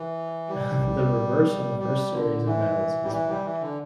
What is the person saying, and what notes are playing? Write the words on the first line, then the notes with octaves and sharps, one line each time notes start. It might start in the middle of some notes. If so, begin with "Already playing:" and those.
The reverse on the first series of medals is blank.
Already playing: E3
G3
G3
D3
E3
G3
E3
G3
E3
D3